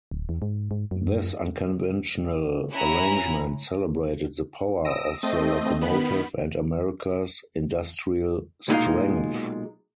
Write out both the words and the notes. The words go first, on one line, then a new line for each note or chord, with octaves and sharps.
This unconventional arrangement celebrated the power of the locomotive and America's industrial strength.
D1
E2
G#2
G#2
F#2
C#4 E4 F#5 G#5 A#5
D#6 E6 A#6 D7 D#7
A3 C4 D#5
D#3 B3 B5
B1 A#2 F3 G#3 D#4 F5